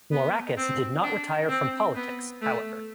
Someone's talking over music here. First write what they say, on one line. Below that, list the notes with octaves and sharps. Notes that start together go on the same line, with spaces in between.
Florakis did not retire from politics, however.
B3
C4
D4
C4
B3
A3